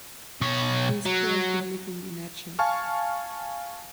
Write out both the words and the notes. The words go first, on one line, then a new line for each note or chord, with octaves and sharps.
He is currently living in Eger.
B2 C#5
F#3
F5 G#5 A5 C#6 F6